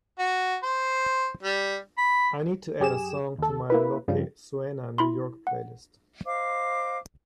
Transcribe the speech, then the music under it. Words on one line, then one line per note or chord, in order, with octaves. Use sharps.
I need to add a song to my lo que suena new york playlist.
F#4
C5
G3
B5
F#2 G4 G#4 E7
D#2 A4
A#3 E4 B4
G2 C#3 F3 G3
E4 B5 C6
F#5
C5 D#5 F5 D6